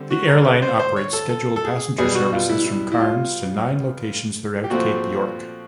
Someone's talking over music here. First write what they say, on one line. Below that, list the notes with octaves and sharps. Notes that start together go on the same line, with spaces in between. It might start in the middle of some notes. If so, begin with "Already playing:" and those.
The airline operates scheduled passenger services from Cairns to nine locations throughout Cape York.
Already playing: D3 G3 C4
F#4
A#4
B4
C5
C5
C#5
A4
A4
A4
G#4
B2 G3 B3 G#4
F#4
F4
E4
E4
E4
F4
G4
A#2 F3 A3 C4 F#4